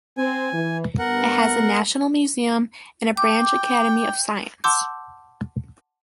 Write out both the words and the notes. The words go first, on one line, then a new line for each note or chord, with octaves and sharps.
It has a national museum and a branch academy of science.
C4 G#5
E3
G2 B3 A#4 F#5
G5 D6
F#5 A5 C6 D6 E6 G6